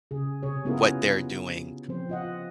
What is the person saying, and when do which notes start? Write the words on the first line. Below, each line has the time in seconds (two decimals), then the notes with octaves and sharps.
what they're doing,
0.11 C#3 G#4
0.43 C3 G#4 C#5
0.65 B3 C#4 E4 F4 G#4 A#4
1.89 F3 C4 C5
2.09 F4 D#5 F#5